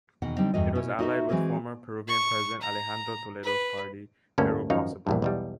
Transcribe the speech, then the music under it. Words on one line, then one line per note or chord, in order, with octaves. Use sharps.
It was allied with former Peruvian president Alejandro Toledo's party, Peru Possible.
E2 B2 D#3 F#5
D3 G3 C4 D#4
E2 G2 A3 F#4 D#5
B2 C#4 E4 F#4
D#4 F#4 A4 B4 D#5 E5
E3 G#3 C4 F#4 G#4 B4
C#6
A#5
B4
G1 D2 G2 A#3 C#4 A4
G#1 F#2 F3 D#4 C#5 F5
A#1 E2 G2
B1 E2 G3